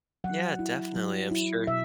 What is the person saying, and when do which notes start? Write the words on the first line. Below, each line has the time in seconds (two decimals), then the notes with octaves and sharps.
Yeah, definitely, I'm sure
0.24 F#3 F#5
0.59 E4
0.96 F#3
1.31 E4
1.67 B2 E5